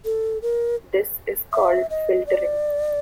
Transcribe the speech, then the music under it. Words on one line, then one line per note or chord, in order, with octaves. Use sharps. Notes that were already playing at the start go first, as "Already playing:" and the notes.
This is called filtering.
A4
A#4
E5
D#5
D5